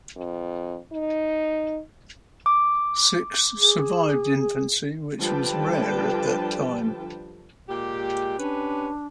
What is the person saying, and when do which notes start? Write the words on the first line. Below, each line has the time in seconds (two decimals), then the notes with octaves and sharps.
Six survived infancy, which was rare at that time.
0.16 F2
0.92 D#4
2.46 D6
3.57 G#4
5.20 D3 F3 G3 B4 G5 A5
7.69 A#2 G#3 G4
8.39 C#4 D4 G4 B4